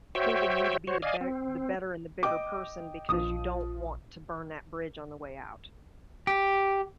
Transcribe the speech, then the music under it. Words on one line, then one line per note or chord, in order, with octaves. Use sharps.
proving you to be the ber the better and the bigger person, because you don't want to burn that bridge on the way out.
F#4 C5 C#5 E5 G5
F#4 C5 C#5
D5 D#5 F5 G#5
C4
D#5 G5 D6
A#1 F3 D#6
G4